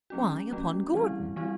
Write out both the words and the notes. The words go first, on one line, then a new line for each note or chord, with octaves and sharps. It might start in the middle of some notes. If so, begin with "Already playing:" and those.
"Why upon Gordon?"
F#3 A3 C#4 F#4
F#3 A3 C#4 F#4
E3 G3 C4 E4 G4
E3 G3 C4 E4 G4